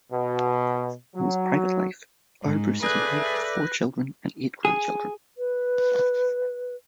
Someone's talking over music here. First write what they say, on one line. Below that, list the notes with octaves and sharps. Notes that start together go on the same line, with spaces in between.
In his private life, Earle Bruce is married with four children and eight grandchildren.
B2
F#3
G#2
G#4 A4 B4 D5 E5 F#6 G6 A#6
G#4
B4